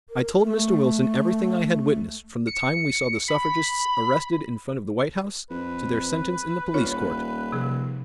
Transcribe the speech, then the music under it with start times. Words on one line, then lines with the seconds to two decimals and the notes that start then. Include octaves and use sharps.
I told Mr. Wilson everything I had witnessed from the time we saw the suffragists arrested in front of the White House to their sentence in the police court.
0.10 A#4
0.41 A3
2.47 C#7
3.28 B5
5.50 F2 B4
6.74 D#1 C#4 F4 C#5
7.52 C3 F3 G#4